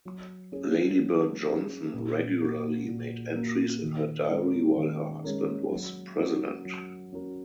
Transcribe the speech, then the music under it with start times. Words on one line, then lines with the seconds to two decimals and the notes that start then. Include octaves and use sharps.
Lady Bird Johnson regularly made entries in her diary while her husband was president.
0.05 F#3
0.52 C#4 G#4
0.99 F#3
1.46 C#4 G#4
1.94 A#2
2.41 A#3 F#4 A#4
2.88 A#2
3.35 A#3 F#4 A#4
3.82 D#3
4.29 G#3 C#4 A#4
4.77 D#3
5.24 G#3 C#4 A#4
5.71 F#3
6.18 C#4 F#4 A#4
6.65 F#3
7.12 C#4 F#4 A#4